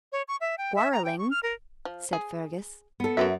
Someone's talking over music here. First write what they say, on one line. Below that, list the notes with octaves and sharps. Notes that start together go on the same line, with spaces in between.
"Quarrelling," said Fergus.
C#5
C#6
E5
G5
E5
A#5
G5
C#6
F6
A#4
F3
G#4
B3 A4
F#2 F#4 B4 E5